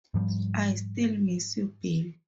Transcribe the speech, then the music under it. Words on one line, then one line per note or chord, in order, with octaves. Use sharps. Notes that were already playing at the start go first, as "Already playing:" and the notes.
I still miss you Bill.
G#2 F3 G3